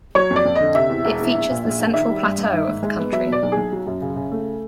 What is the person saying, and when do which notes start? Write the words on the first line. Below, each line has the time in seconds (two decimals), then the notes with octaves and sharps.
It features the central plateau of the country.
0.15 F#3 C#5
0.30 F2
0.36 D5
0.45 F2
0.55 D3 D#5
0.75 C3 E5
0.89 E2
1.05 E1
1.20 E2
1.34 A#1
1.49 A#2
1.64 A#1
1.79 A#1
1.94 D#3 E5
2.08 G3
2.23 G2
2.38 G2
2.53 D#3
2.68 G#2
2.82 G#3
2.98 B3
3.12 F#3 E5
3.27 B2
3.32 D5
3.43 B1
3.52 G#4
3.57 B1
3.72 F#3
3.87 F#2
4.01 C#3
4.16 C#3
4.31 A3